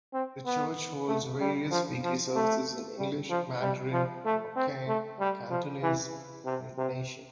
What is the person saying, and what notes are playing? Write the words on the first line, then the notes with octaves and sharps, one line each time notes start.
The church holds various weekly services in English, Mandarin, Hokkien, Cantonese, and Indonesian.
C4
B3
A3
G3
F3
F3
A3
G3
F3
G3
F3
A3
C4
A3
G3
F3
E3
C3
C3